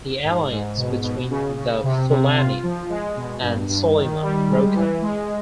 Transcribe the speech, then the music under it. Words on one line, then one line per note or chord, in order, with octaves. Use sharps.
The alliance between the Fulani and Solima broke up.
G#2
G#2
B2
B2
C#3
C#3
C3
C3
F4
F3
G#3
B2
G2
G2
D#3
G3
G#3
E3
G#3